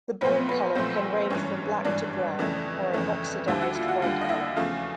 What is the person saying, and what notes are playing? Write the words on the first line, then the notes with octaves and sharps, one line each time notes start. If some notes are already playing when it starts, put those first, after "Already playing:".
The bone color can range from black to brown or an oxidized white color.
B1 A#2 F3 A3 B3 B4
B3 B4
B1 A#2 F3 A3 C4 C5
G#1 G2 E3 C#4 C#5
G#1 G2 E3 D4 D5
F2 C#3 E3 A3
F2 C#3 E3 A3
D#2 D3 G3 E4 E5
F#4 F#5
F4 F5
F#4 F#5
D#2 D3 G3 F4 F5
D#5
E4 E5
E2 C#3 F3 A3 F4 F5